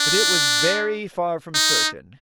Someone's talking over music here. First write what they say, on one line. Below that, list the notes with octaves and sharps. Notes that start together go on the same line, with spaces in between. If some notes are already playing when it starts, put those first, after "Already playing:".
But it was very far from certain.
Already playing: D4
D#4